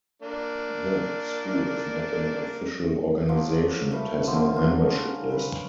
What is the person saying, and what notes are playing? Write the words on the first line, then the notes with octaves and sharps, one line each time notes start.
The school is not an official organization and has no membership list.
A#3 D4
F3 F#3 A#3
A3 B4 F5
D3 F3 C4 C#4
F4 F#4 A#4
B4 F5